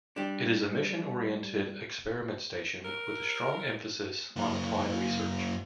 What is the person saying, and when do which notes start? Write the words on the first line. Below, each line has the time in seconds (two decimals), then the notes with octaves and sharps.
It is a mission-oriented experiment station with a strong emphasis on applied research.
0.16 G3 D4
2.85 A#4
4.36 F#2 A#3